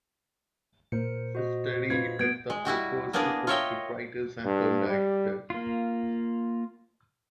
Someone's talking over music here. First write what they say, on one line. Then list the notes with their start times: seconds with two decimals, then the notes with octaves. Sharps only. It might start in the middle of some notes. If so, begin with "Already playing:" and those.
She studied at the High Courses for Scriptwriters and Film Directors.
0.92 A#2 A#4 C5 C#7
1.35 F#4 C5 D#5
1.90 F4 B4 G#6
2.19 B3 G6 G#6 D7
2.50 G#3
2.65 G3 E4 F#4 G4
3.13 A#3 B3 D4 G#4 A#4 D5
3.47 F4 A#4 C#5 D#5 E5 G5
4.45 G2
4.89 G3
5.50 A#3 F4